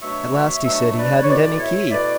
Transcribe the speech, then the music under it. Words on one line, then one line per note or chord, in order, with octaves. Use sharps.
At last he said he hadn't any key.
B2 F#3 A3 D4 C#5 E5
B2 F#3 A3 D4 C#5 E5
B4 D5
C#5
B2 A3 E4 B4 D5
C#5 E5
B2 A3 E4 B4 D5